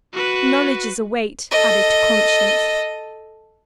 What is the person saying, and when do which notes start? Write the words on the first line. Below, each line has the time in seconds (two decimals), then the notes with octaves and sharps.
"Knowledge is a weight added to conscience."
0.13 F#4 B4
1.51 A4 D#5